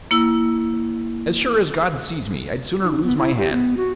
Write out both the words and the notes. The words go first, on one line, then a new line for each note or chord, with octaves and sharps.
As sure as God sees me, I'd sooner lose my hand.
A#3 E4 E6
D#4
B3
E4
G4
B3
F#4